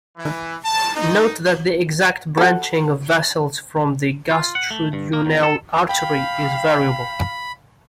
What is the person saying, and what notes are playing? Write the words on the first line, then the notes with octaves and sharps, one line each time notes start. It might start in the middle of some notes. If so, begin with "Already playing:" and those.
Note that the exact branching of vessels from the gastroduoenal artery is variable.
E3
A5
D#4
F#4 A4
F4
F#5
A3
G2
A#3
E2
A4
F5 G5 B5